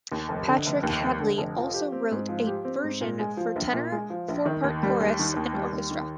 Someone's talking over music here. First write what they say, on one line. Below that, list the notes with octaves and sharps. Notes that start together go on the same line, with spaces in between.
Patrick Hadley also wrote a version for tenor, four-part chorus, and orchestra.
D#2
F1
D3
F1
D#2
F1
D3
F1
F3
G4
C4
G#2
F3
G4
C4
G#2
A#2
G#3
F3
A#1
A#2
G#3
F3
A#1
D#3
D#2
G3
D#2
D#3
D#2
G3
D#2
D#3